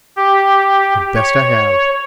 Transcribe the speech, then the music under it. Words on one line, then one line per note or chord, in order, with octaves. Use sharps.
"The best I have."
G4
C#5